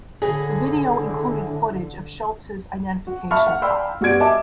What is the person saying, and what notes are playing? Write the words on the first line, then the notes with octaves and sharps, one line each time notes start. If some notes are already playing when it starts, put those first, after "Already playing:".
The video included footage of Schulz's identification card.
A2 D3 G#4
F#4
E5 F5 A5 B5 C#6 F6
F#5
D5 F5 G5 B5 C6 E6
G1 F#4 G4 D5 G#6 D7
D#5 E5 G#5 A5 D6